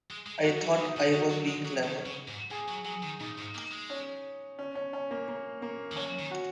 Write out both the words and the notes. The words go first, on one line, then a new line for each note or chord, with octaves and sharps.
I thought I was being clever.
G#3
G#3
G#3 F#4
F#3
F#3
D#3 D#4
C#3
D#3 F#4
F#3
G#3
F#3
D#3
C#3
G#2
A#2 G#4
F#3
F#3 G#4
D#3
A#2 D#4
G#2
A#3
G#3
C#4
C#4
C#4
C#4
A#3
A#3
A#3
D#3
F#3 C#4
D#3
F#4